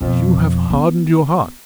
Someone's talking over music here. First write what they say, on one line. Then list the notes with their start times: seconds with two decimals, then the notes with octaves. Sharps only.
You have hardened your hearts.
0.01 F2 B2
0.70 G1 B3